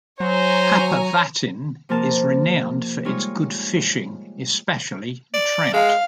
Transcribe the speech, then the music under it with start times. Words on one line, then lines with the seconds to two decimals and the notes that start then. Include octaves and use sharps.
Apavatn is renowned for its good fishing, especially trout.
0.20 F#3 C5 C#5 G#5 A#5
1.89 C3 F3 A#3 A#4 A5
3.05 G3 G#3 D#4 F4 C#5
5.34 D5
5.73 G#3 F5